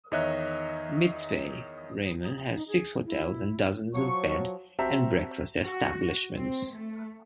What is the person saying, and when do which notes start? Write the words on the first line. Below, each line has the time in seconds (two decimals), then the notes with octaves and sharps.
Mitzpe Ramon has six hotels and dozens of Bed and Breakfast establishments.
0.12 E2 D#3 C#5 D#5 E5 F#6
2.55 D#4
2.68 G#4
3.06 E4
3.94 F3 F#3 C#5 C#6
4.79 C4 F#4 G4 E5 A5 A#5
5.65 F#4
6.36 C4
6.74 A3